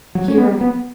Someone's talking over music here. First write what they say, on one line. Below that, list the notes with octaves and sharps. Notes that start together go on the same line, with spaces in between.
He rang.
F#3
C#4
B3
B3